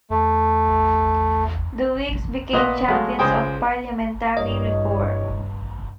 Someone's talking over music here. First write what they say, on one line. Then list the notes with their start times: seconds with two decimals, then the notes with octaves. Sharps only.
The Whigs became champions of Parliamentary reform.
0.10 E2 A3
2.53 A#2 B3 B4 D#5 C6
2.88 F#3 G#3 A3 F5
3.19 C#2 G#3 C5 G5 G#5 D#6
4.37 G2 G3 E4 C#5 D#5